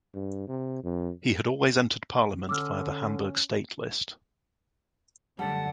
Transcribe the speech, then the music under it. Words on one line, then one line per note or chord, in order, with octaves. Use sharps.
He had always entered parliament via the Hamburg state list.
G2
C3
F2
D3 C#4 D6 E6 F6
F#2 D3 G3 A3 F#5 A5